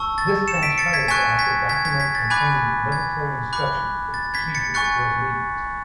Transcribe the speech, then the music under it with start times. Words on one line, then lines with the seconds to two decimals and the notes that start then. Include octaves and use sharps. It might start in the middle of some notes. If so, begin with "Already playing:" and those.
This transpired after a document containing the military instructions for the procedure was leaked.
Already playing: A5 C#6 E6
0.18 A6
0.48 C#7 E7
0.63 B6 D7
0.78 A6 C#7
0.93 G#6 B6
1.08 G#5 C#6 F#6 G#6 B6
1.39 G#6 B6
1.69 G#6 B6
1.85 G#6 B6
2.00 G#6 B6
2.15 A6
2.30 G#5 B5 D6 F#6 G#6
2.92 G#6
3.53 B5 D6 F#6
4.14 A6
4.34 G#6 B6
4.55 A6 C#7
4.74 G#5 C#6 F#6 A6 C#7